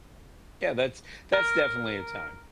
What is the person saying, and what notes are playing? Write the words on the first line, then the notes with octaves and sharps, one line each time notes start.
Yeah, that's that's definitely a time.
A#4